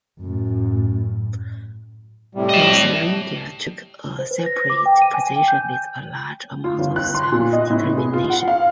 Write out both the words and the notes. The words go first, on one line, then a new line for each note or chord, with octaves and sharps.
Lotharingia took a separate position with a large amount of self-determination.
F#2 A2
A2 C3 G3
D#5 A5
C5
B4
A#6
D6
G5
D#7
G#5
G5
G6
F4
G1
F#6
C6
A#2
D#5
A2
B3
G#4
F4
F#5
F5